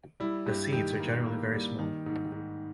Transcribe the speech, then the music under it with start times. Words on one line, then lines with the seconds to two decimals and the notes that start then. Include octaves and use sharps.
The seeds are generally very small.
0.20 G3 E4
0.46 G2 G4
0.73 D#3 G4
0.99 A#3
1.26 A#3
1.53 G3
1.79 D#3
2.06 G#2
2.32 G#2